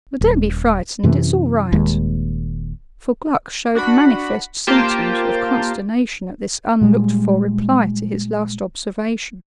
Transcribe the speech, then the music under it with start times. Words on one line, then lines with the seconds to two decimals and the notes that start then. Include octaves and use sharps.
"But don't be frightened; it's all right"--for Gluck showed manifest symptoms of consternation at this unlooked-for reply to his last observation.
0.21 D#1
1.04 F#2 C3 E3
1.72 D#1 D#2 G#3
3.75 D4 F#4 F#5 B5
4.67 A#3 F4 G4 C5 G5 A5
6.81 A#2 G3 G#3